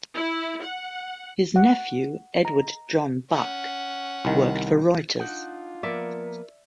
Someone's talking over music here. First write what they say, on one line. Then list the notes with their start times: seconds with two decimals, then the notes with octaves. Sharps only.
His nephew Edward John Buck worked for Reuters.
0.13 E4
0.62 F#5
1.56 F#5
2.45 A#5
3.30 C#4 F#5
4.25 C2 D#3
5.19 D4 D#4 F4 F#5
5.83 F3 A#3 B3 A#4 D5 E5